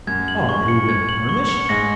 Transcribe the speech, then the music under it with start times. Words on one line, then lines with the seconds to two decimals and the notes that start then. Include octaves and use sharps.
"Are you in earnest?"
0.07 F#2 G#6
0.28 F#7
0.49 C#6
0.68 C#7
0.89 G#6
1.09 F#7
1.29 C#6
1.49 C#7
1.69 G#2 A#6